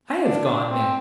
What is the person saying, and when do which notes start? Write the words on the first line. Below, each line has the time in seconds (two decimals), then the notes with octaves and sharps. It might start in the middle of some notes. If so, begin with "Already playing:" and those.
I have gone mad....
0.22 D4
0.69 C4